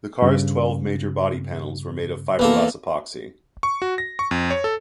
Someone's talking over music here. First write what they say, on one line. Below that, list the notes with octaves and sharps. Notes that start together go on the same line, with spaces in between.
The car's twelve major body panels were made of fibreglass-epoxy.
G2 C#3
E2 A#3 A4 B4
C#6
F#4
A#6
C#6
F2
C#5
A4